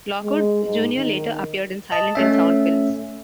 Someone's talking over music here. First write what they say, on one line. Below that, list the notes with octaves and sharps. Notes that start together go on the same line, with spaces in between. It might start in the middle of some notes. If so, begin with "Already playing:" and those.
Lockwood, Junior later appeared in silent and sound films.
G#3
G#2
D#3
D#5 A5
A3 C#4 E5